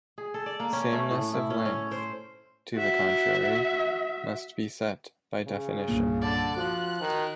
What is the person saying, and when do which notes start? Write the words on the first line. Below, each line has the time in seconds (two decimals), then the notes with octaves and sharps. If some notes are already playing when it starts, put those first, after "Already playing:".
Sameness of length, to the contrary, must be set by definition.
0.18 G#4
0.34 A4
0.46 D5
0.60 A#3
0.73 C#4
0.92 A3
1.11 A2
1.33 E4
1.50 C#4
1.65 C#4
1.91 C5
2.74 F#4 E5
5.46 C#3
5.88 C2 G2 A#2
6.21 D3 D5 A5
6.56 F3 F#4 F#6
7.01 D#3